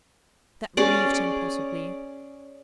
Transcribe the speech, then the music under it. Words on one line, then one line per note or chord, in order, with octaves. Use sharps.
That relieved him, possibly.
C#4 G#4 D5